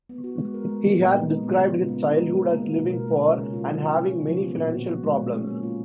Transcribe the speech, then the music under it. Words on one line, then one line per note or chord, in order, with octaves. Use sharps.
He has described his childhood as living poor and having many financial problems.
B3
F#4
G#3
A#4
G#3
B3
A#2
D#4
G#3
B3
C#3
F4
B3
D#4
G#3
A#4
A#3
F4
B2
A#4
G#3
C#4
C#3
F4
F#3
C#4
C#3
F4
F3
B3
A#2
F#4
F3
G#3
A#2
C#4
A#3
F4